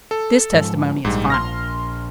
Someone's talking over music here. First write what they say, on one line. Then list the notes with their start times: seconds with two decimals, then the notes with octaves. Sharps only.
This testimony is final.
0.11 A4
0.54 G#2 F3
1.05 A#1 G#2 G3
1.30 C6 F6 A#6